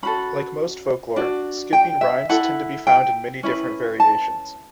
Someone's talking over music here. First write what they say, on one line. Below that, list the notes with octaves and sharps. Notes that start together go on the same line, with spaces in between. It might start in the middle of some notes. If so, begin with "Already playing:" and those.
Like most folklore, skipping rhymes tend to be found in many different variations.
C#4 F#4 A4 B5
D4 F#4
G5
E5
E4 A4 F#5
G5
C#4 E4 B4
A5